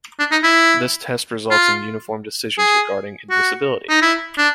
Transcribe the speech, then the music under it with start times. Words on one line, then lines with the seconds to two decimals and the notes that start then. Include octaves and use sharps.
This test results in uniform decisions regarding admissibility.
0.19 D4
0.32 D#4
0.44 E4
1.51 F4
2.58 G#4
3.30 F#4
3.89 D#4
4.02 E4
4.38 D4